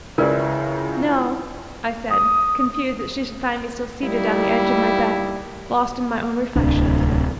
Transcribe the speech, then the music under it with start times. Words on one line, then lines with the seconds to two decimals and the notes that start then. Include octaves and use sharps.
"No," I said, confused that she should find me still seated on the edge of my bed, lost in my own reflections.
0.18 C#2 C#3 E4 F4 A#4 B4 D5
2.10 D#6
4.03 G3 A#3 D#4 E4
6.55 D1 C2 D4